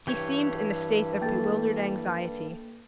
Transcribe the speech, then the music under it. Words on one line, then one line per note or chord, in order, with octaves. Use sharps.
He seemed in a state of bewildered anxiety.
G2 E3 G4 C#5
A#3 A4 A#4 G5 A6